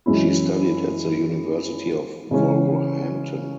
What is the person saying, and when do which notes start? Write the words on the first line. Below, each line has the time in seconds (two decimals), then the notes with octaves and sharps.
She studied at the University of Wolverhampton.
0.06 F#2 E3 G#3 C#4 E4
2.31 C#3 E3 G#3 C#4